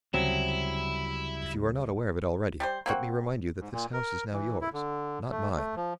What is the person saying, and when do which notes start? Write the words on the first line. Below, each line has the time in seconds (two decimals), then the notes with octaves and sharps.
If you are not aware of it already, let me remind you that this house is now yours; not mine.
0.14 D2 C#3 F#3 G3 C4 E4
2.60 G3 A#4 C5
2.86 A#3 C4 F#4
3.61 G#2
3.72 A#2
3.93 A#4
4.32 E3
4.61 E4
4.73 D3
5.31 A3
5.56 A3
5.76 F3